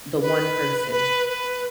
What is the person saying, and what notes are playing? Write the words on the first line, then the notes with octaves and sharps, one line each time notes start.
the one person.
B4
B4
B4